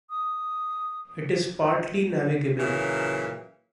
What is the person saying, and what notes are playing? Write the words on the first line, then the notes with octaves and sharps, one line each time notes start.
It is partly navigable.
D#6
A#2 C#3 E3 F#3